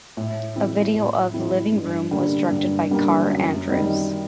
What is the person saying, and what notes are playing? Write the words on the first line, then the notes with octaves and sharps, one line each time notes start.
A video of "Living Room" was directed by Kaare Andrews.
A2
E3 G#3 C4 E4
A2
E3 G#3 C4 E4
G2
D3 G3 A#3
G2
D3 G3 A#3
F#2
D#3 G3 C4 D#4